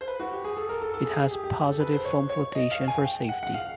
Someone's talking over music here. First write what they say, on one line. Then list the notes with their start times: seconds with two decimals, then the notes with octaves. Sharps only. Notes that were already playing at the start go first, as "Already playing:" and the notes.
It has positive foam flotation for safety.
0.01 C5
0.08 B4
0.20 F#4
0.31 G4
0.45 G#4
0.57 A4
0.69 A#4
0.82 A4
0.94 A4
1.06 G#4
1.19 G#4
1.31 G4
1.44 G4
1.68 A4
1.80 B4
1.93 C5
2.05 C#5
2.30 C#5
2.55 D#5
2.71 F5
2.88 G#5
3.04 G5
3.29 F#5
3.43 F#5
3.54 F5